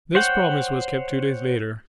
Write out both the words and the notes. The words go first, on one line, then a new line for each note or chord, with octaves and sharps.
This promise was kept two days later.
C5 C#5 F#5 G5